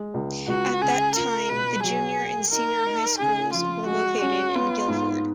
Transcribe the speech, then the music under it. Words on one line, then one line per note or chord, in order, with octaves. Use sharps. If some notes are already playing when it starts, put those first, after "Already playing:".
At that time the Junior and Senior High Schools were located in Gildford.
Already playing: G#3
C#2
C#2 F#4
C#3 G#4
F4 A#4
B2 B4
F#3 G#4
A#3
D#4 A#4
D#4
C#3 G#4
F3 F4
G#3 F#4
C#4 F#4
B3 F4
G#2